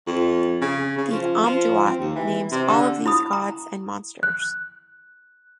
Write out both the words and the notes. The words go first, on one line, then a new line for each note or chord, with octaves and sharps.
The "Amduat" names all of these gods and monsters.
F2
C#3
C#3
F3
F3
C4
D#2
E3
C3
D3
E4 B5 D#6
A#5
F#6